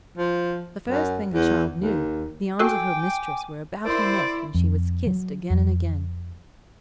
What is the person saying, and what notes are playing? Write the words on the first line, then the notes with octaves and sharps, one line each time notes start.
The first thing the child knew the arms of her mistress were about her neck and she was kissed again and again.
F3
F#2
E2
D#2
F#4 A4 G5 G#5 D6 F#6
E4 A#4 C5 D5 C6
F2
F#3
F2